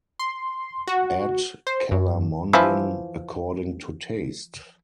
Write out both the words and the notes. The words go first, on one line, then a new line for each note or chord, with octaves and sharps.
Add calamondin according to taste.
C6
F#4
C5
F#2
E3 F3 E4